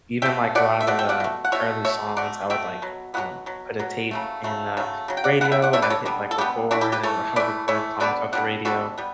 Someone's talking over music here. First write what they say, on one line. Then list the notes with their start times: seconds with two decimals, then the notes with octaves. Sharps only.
even, like, a lot of the early songs, I would, like, um, put a tape in the radio, and I hit, like, record, and I would record songs off the radio.
0.22 B2 A3 E5 G5
0.55 B2 A3 D5 F#5
0.81 E5
0.87 B2 A3 D5 F#5
0.99 E5 G5
1.09 D5 F#5
1.20 B2 A3
1.45 F#5
1.52 B2 A3 C#5 E5
1.85 B2 A3 C#5 E5
2.17 B2 A3 D5 F#5
2.50 B2 A3 E5 G5
2.82 B2 F#3
3.14 B2 F#3 B3 F#5
3.46 B2 F#3
3.80 B2 F#3
4.11 C#3 F#3 A3
4.44 C#3 F#3 A3
4.77 C#3 F#3 A3
5.08 C#3 F#3
5.17 G5
5.24 D5 F#5
5.41 D3 G3 B3 F#5
5.52 E5 G5
5.62 D5 F#5
5.73 D3 G3 C#5 E5
5.82 B4 D5
5.90 A4 C#5
6.05 D3 G3 B3
6.31 A4
6.38 D3 G3 B3 E4 G4
6.71 E3 A3 D4 F#4
6.81 E4 G4
6.92 G4 B4
7.03 E3 A3 A4 C#5
7.36 E3 A3 B4 D5
7.68 E3 A3 C#5 E5
8.00 D3 G3 B3 B4 D5
8.33 D3 G3 B3 F#5
8.65 D3 G3 B3 F#4 A4
8.98 G3 B3